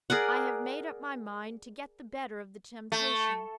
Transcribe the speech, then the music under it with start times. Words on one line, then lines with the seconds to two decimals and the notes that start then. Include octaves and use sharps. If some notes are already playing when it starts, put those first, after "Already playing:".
I have made up my mind to get the better of the temptation.
0.10 G#4 A#4 D5 F#5
2.92 A3